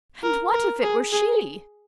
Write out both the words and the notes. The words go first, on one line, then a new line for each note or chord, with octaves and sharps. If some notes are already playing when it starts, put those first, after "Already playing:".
And what if it were she!
A#4
A#4
G#4
G#4